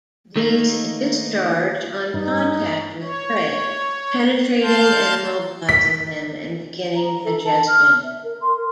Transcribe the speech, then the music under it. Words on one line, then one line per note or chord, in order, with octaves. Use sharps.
These discharge on contact with prey, penetrating and immobilizing them, and beginning digestion.
D#3 A3 A#3 D#4
G2 D#4
C#5
F5 A5 C6 G6
B6
A#5
A4
A5
F6
E5
A#4
C6
A#4